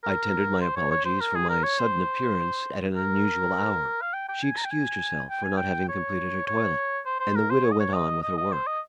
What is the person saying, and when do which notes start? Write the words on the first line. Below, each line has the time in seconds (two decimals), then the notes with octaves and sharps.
I tendered my apologies for my sudden appearance at an unusual hour; she excused herself for not having completed her toilet, and the widow went on with her work.
0.04 A#4
0.61 C5
0.76 C#5
0.91 C#5
1.05 C5
1.21 A#4
1.35 G#4
1.49 A#4
1.64 C#5
1.79 C5
2.97 A#4
4.01 F5
4.13 G5
4.28 G5
4.43 G#5
4.57 A#5
4.65 G5
4.71 G#5
5.30 G5
5.44 G#5
5.57 G5
5.89 C#5
6.47 C#5
7.06 C5
7.20 C5
7.36 A#4
7.50 C5
7.64 C#5
7.72 D#5
7.80 C#5
7.93 D#5
8.23 D#5
8.38 D#5
8.52 C5
8.67 D#5